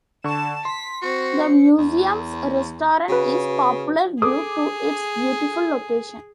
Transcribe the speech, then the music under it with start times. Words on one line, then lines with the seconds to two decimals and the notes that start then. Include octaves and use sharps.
The museum's restaurant is popular due to its beautiful location.
0.24 D3 A5 C#6 E7
0.65 C6 B6
1.02 C4 F#4 C#7
1.78 E2
3.09 C#3 F#4 B4
4.22 G#4 A4 D6 D#6